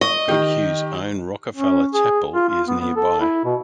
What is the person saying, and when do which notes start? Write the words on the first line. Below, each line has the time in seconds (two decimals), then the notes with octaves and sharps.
Goodhue's own Rockefeller Chapel is nearby.
0.01 D#5 C#6
0.28 D#3 G4
1.56 C#4
1.94 G#4
2.34 F4
2.49 F4
2.67 B3
2.80 B3
2.96 A4
3.20 E4
3.45 B2